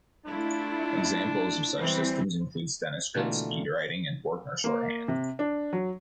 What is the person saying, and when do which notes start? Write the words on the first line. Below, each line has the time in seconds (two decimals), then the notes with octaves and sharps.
Examples of such systems include Stenoscript, Speedwriting and Forkner shorthand.
0.26 A3 D4 E4 F4
1.79 E3 G3 C4
3.15 B2 D3 E3 A3 A#3 F4
4.64 A#3
5.08 C3
5.39 D4
5.73 F#3